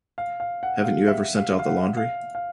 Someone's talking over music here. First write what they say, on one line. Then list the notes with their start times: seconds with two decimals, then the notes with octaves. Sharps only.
Haven't you ever sent out the laundry?
0.18 F5
0.40 F5
0.63 F#5
0.84 F5
1.08 E5
1.36 F5
1.59 F5
1.66 F#5
1.97 F5
2.35 F5